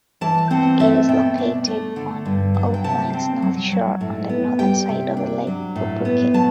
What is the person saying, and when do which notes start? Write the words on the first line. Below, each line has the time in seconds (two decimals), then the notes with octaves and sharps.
It is located on Auckland's North Shore on the northern side of Lake Pupuke.
0.21 E3 A5
0.50 C4 F#5
0.80 A3 E5
1.09 B2 G5
1.38 D4
1.67 A3
1.96 D3
2.26 G2
2.54 F#3
2.74 G5
2.84 C3 A5
3.13 C4
3.42 F#3
3.72 F#3
4.01 A2
4.29 B3
4.59 G3 G5
4.89 C3
5.17 D4
5.47 F#3
5.76 A2
6.05 B3
6.34 F#3 A5